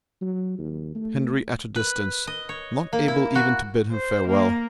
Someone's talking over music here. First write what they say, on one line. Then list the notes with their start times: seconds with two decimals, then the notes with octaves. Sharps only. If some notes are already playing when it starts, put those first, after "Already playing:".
Henry at a distance--not able even to bid him farewell.
0.21 F#3
0.58 D#2
0.95 A3
1.76 B4
2.27 D#5
2.49 C#5
2.93 A#3
3.08 E4
3.35 F#4
3.91 C5
4.27 A#3